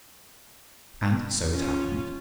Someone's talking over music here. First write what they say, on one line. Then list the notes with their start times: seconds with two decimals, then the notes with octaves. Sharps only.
And so it happened.
1.52 C#4 F4